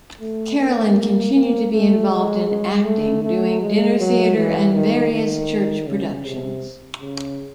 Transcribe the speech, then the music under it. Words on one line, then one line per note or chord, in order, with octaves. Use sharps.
Carolyn continued to be involved in acting, doing dinner theater and various church productions.
A3
A#3
A#3
A3
G#3
G#3
A3
A3
G#3
F#3
E3
D#3
D#3
C#3
C3
C#3